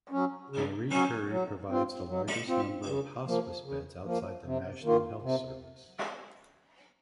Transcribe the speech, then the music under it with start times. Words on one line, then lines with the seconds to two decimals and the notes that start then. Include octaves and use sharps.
Marie Curie provides the largest number of hospice beds outside the National Health Service.
0.11 F#3 C#4
0.50 C#3
0.90 F#3 C#4
1.30 F#3
1.69 C4 F4
2.08 F#3
2.47 C4 F4
2.86 C#3
3.26 F3 A#3
3.65 C#3
4.04 F3 A#3
4.44 C3
4.83 D#3 A#3 F4
5.22 C3